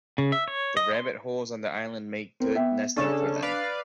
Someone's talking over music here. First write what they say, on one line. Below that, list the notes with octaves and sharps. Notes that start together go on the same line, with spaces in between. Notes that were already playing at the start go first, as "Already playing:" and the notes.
The rabbit holes on the island make good nesting for them.
C#3
E5
C#5
D#5
C6
C4 A#4
B3 E5 G5
C#3 C#4 D4 A4 E7
B4 D5 F5